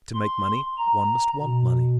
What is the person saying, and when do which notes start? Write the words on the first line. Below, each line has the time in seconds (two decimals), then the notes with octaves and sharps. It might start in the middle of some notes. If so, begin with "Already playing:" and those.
To make money one must want money.
0.15 C6
0.78 A#5
1.42 B2